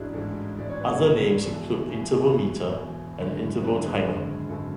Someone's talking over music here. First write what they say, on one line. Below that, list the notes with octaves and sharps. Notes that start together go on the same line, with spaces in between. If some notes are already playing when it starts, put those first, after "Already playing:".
Other names include interval meter and interval timer.
Already playing: A1 G#2 G#3 D4 E4 F#4 G#4
A1 G#2 G#3 F#4 A4
A1 G#2 G#3 D5
C#5
B4
A4 C#5
A1 G#2 G#3
E1 E2 B2 F#4 A4
E1 E2 B2
B4
E1 E2 B2 F#4 A4
E1 E2 B2
G#1 F#2 D3 G#3
G#1 F#2 D3 G#3 B4
A4
G#4 B4
G#1 F#2 D3 G#3
G#1 F#2 D3 G#3 F#4 A4